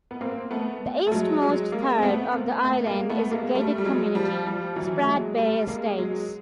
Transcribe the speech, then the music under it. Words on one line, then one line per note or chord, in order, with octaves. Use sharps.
The eastmost third of the island is a gated community, Sprat Bay Estates.
B3
A#3 C4
A3 B3
A3
F#3 G#3
F#3 G#3
G#3 A#3
C4
A3 B3
A#3 C4
A3 B3
G#3 A#3
A3 B3
G#3 A#3
G3 A3
G3
F#3 G#3
F3 G3
F3 G3
E3 F#3
A3
F#3 G#3
G3 A3
G#3 A#3
F#3 G#3